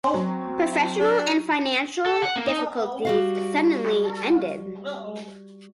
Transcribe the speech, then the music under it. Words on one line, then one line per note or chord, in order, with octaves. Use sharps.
Professional and financial difficulties suddenly ended.
F#3 C4
D4
A4
F#5
A#3
D#4
G3 F#4 F5